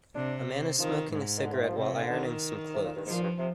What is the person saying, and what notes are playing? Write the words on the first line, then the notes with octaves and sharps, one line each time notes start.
A man is smoking a cigarette while ironing some clothes.
C3 D4
D#3 F3
G#2
D#3
D3
C3
D#3
F3
C3 G3
F3
D#3
D3
D#3
C3
A#2
G2
G#2 F3
A#2
G2
C3